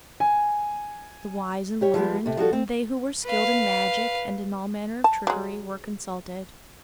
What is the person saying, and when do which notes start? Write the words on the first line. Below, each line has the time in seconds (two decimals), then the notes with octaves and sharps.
The wise and learned, and they who were skilled in magic and in all manner of trickery, were consulted.
0.20 G#5
1.81 G3 G4 C#5
1.94 F3 G#3 B3 G4
2.26 C3 A3
2.37 F3 G3 F#4 A4
2.53 C4
3.25 B4 F5
5.04 A5
5.27 F#3 G#3